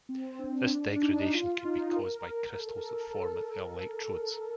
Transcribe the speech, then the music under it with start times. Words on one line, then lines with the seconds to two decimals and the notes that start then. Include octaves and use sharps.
This degradation could be cause by crystals that form at the electrodes.
0.09 C4
0.39 D4
0.96 D4
1.03 D#4
1.34 F4
1.65 D#4
1.96 A#4
2.59 A4
2.68 A#4
2.77 A4
2.90 A4